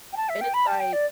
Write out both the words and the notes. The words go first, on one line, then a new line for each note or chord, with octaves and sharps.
and it's, like,
G5
A5
E5
G5
B5
A5
G5
D5